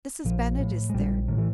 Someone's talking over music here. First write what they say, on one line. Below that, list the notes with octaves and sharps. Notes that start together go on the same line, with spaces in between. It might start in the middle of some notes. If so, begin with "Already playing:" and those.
Mrs. Bennett is there.
A#1 F3
A2
G#3
A#1 G3
A2 D#3
E3